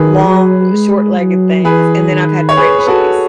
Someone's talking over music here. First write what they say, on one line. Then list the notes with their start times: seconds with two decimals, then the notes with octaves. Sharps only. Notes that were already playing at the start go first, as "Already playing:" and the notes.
long short-legged things, and then I've had Frenchies.
Already playing: D#3 G#4 B4
0.26 F#3
0.73 G#3
1.19 F#3
1.65 E3 G#4 B4
2.11 D#3
2.49 C#5
2.57 G#4 B4
2.79 B4
2.87 F#4 A4